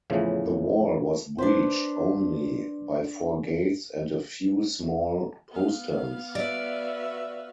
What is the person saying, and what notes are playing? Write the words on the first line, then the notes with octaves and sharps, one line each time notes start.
The wall was breached only by four gates and a few small posterns.
E2 A2 C#3 E3 F3
D4 B4 C5
B3 F5
F#4 B4 D5 E5